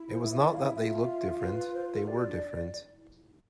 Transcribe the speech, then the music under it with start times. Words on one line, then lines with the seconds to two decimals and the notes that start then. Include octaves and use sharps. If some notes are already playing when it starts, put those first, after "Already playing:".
It was not that they looked different; they were different.
Already playing: E4
0.11 C5
0.22 E5
0.32 E5
0.44 D5
0.54 F5
0.65 E5
0.76 F4 E5
1.42 B4
1.75 C5
1.85 B4
1.96 A4
2.07 G4 D5
2.18 F4
2.29 D4